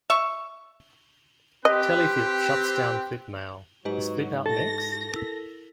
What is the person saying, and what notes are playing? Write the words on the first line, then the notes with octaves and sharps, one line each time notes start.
Teleflip Shuts Down Flipmail, Is Flipout Next?
E5 C#6
C4 G4 B4 D#5
G#2 F#3 G4 B4 D#5
A4 A#6
E4 A#4